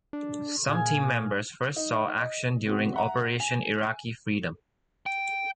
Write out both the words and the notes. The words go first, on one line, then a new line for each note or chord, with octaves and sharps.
Some team members first saw action during Operation Iraqi Freedom.
D4
A#2 G#4 F5 G#5
D#4
D#5
B3 C4 F#4
E5 F#5 A#5
G#5
G5